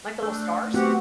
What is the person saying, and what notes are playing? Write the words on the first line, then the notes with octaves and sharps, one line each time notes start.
Like the little stars?
A3 D4
B3 C4 F#4 G4 F#5